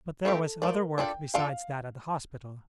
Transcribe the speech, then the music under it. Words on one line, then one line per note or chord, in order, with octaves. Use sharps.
But there was other work besides that at the hospital.
F3 A3 C4 G4 A4 D5
F3 A3 A#4 D5
D4 F4 A4 D5 G5
D4 F4 A4 D5 F5